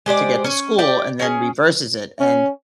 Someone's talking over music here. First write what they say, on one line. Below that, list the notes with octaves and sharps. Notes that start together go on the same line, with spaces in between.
to get to school and then reverses it and
G#3 G4 C5 D5
C#4
G4 D5 G5
C#4 G#4
C#4